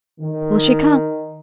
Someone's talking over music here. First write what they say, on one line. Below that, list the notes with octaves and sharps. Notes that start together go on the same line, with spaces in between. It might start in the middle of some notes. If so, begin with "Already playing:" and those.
Will she come?
D#3